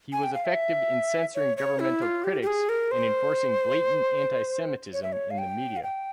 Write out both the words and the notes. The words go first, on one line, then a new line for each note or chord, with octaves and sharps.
He was effective in censoring governmental critics and enforcing blatant Anti-Semitism in the media.
G#5
G5
F5
E5
C#5
C#5
E4
F4
G4
G4
G#4
A#4
C5
C#5
E5
C#5
F5
G5
F5
G5